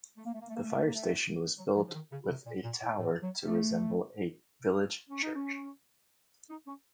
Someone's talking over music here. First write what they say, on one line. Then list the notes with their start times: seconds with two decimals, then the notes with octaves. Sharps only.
The fire station was built with a tower to resemble a village church.
0.18 A3
0.25 A#3
0.33 A3
0.41 A#3
0.49 A3
0.56 A#3
0.63 A3
0.70 A#3
0.79 A3
0.86 A#3
0.94 A3
1.58 F#3
1.76 F3
1.87 F3
1.93 D#3
2.12 C#3
2.29 C3
2.46 A#2
2.64 A#2
2.81 A2
2.99 A2
3.22 F#3
3.46 A3
5.09 C#4
5.22 D#4
5.35 C#4
6.50 D#4
6.67 C#4